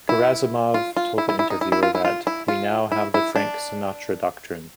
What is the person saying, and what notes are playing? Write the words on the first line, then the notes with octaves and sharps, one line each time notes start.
Gerasimov told the interviewer that, We now have the Frank Sinatra doctrine.
E4
F4
F4
E4
E4
E4
D#4
E4
E4
F4
E4
F4
E4
F4
E4
E4
D4